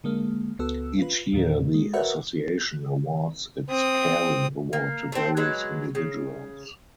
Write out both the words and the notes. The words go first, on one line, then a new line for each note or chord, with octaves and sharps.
Each year the Association awards its Caring Award to various individuals.
D3 G#3 A#3
C#2 B3 F#4 A4 E6
F4 B4
E2 A#2 D#3
G#3
F#4 A#4 B4 C#5 E5 F#5
C4 D#6
A#3
A3 C4
F#3 G#3 B4
C#3